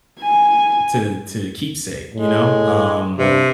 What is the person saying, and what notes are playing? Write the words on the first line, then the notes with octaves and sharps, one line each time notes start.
to to keepsake, you know? Um
G#5
A2 G#3
G2 C3